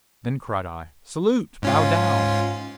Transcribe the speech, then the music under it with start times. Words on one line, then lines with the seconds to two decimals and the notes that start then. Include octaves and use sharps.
Then cried I, "Salute! Bow down!"
1.62 G#2 C#4 F4